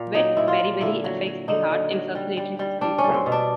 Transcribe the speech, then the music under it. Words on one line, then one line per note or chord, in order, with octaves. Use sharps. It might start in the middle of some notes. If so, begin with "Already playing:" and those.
Wet beriberi affects the heart and circulatory system.
Already playing: A#2
F#3 D#4
A#2 E4
F4
A#2
D3 E4
F#3
F#3
D3 D#4
D3
F#3
G3
G3
G3
G3 D4
C#4
G3
C4
B2
D4